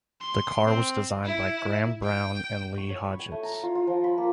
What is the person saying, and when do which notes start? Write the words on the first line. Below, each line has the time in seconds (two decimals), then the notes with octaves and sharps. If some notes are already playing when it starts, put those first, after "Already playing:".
The car was designed by Graham Browne and Lee Hodgetts.
0.20 C6
0.67 C4
1.25 E4
2.04 G5
2.77 C#6
2.90 C#5
3.04 B5
3.19 G#5
3.32 A3
3.43 A#5
3.63 F4
3.75 F4
3.87 F3
4.04 B5
4.18 A#3